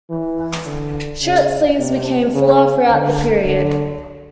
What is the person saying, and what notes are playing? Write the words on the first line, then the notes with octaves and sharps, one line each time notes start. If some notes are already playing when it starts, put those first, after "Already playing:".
Shirt sleeves became fuller throughout the period.
E3
D3
C#3
C3
C#3
D3
D3